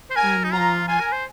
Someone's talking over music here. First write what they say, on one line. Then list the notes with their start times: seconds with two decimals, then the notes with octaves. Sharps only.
I know.
0.11 C5
0.16 A#4 G#5
0.44 D#4
0.53 F4 A#5
0.88 F4 G#5
1.00 A#4
1.13 C5